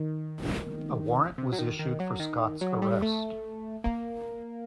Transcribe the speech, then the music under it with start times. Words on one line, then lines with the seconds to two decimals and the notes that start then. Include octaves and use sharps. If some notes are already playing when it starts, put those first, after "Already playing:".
A warrant was issued for Scott's arrest.
Already playing: D#3
1.38 C3
1.52 F#3
1.59 D#3
1.79 D#3
2.00 F#3
2.20 D#3
2.61 F#3
2.82 G3
3.02 A3
3.84 A#3